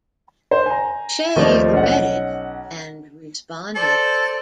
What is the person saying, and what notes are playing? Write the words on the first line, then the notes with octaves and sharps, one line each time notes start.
Shaye read it and responded.
C5
G#5 A#5
D#2 F3 A3 C4 D5 D#5
B1 C#4 F#5
A4 C5 D5